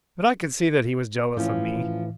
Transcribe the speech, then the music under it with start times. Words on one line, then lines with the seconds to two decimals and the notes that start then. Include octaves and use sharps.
But I could see that he was jealous of me.
1.37 A2 E3 F3 C#4